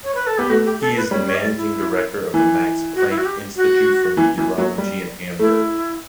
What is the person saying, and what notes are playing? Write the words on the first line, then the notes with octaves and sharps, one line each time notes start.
He is the managing director of the Max Planck Institute for Meteorology in Hamburg.
C#5
B4
A4
B3 G4
A3 F#4
G4
A4
B4
G3 C#5
C#5
E5
D5
E4
E3
F#4
E4
F#4
G4
F#4
E3
E3
F#3
G3
A3 E4